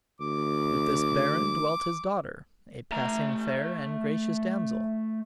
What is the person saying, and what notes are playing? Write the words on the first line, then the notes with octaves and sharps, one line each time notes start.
With this baron dwelt his daughter, a passing fair and gracious damsel.
D2 D6
A3 A#5